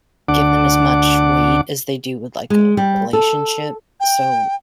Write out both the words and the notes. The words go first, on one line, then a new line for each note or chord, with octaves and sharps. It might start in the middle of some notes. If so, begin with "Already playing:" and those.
give them as much weight as they do with, like, a relationship. So
D2 D4 F#5 D6
G#3
G3
A4
G5